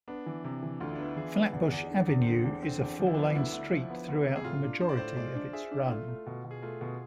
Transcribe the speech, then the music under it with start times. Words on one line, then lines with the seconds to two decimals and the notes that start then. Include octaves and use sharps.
Flatbush Avenue is a four-lane street throughout the majority of its run.
0.08 B3 D4
0.26 E3
0.44 C3
0.63 E3
0.80 D2 F4
0.88 E4
0.95 D4
0.99 B3 E4
1.16 E3 G#4
1.35 B3
1.53 E2
1.72 E2
1.90 D3
2.08 E2
2.21 C4
2.26 D3 D4
2.44 E2
2.63 D3 C4
2.81 E2
2.98 F3 D4
3.07 E4
3.15 B3 D4
3.35 D2 E4
3.53 D2
3.72 F3
3.90 B3
4.08 D2
4.27 C3
4.36 G#4
4.44 A2 F4
4.63 D4
4.81 D4 C5
4.89 D5
4.97 A2 C5
5.17 G#3 D5
5.35 D4
5.53 G#4 E5
5.71 D4
5.86 E4
5.90 A3 F4
6.08 A3
6.26 B2
6.44 B2
6.51 G#4
6.62 A3 F4
6.81 B2